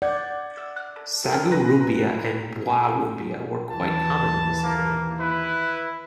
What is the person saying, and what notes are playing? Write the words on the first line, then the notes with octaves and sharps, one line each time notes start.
"Sagu Rumbia" and "Buah Rumbia" were quite common in this area.
D5 F#5 G6 G#6
A4 A#4
B4 A#5 A#6
D#2 E3 A5
A#3
E4 B4